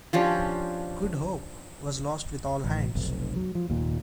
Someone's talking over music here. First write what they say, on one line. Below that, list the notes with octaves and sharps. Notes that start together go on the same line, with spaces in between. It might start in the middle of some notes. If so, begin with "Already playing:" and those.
"Good Hope" was lost with all hands.
F3 C#4 D4 G4
A1
F1 B1
F#3
F3
F1 D#2 A#2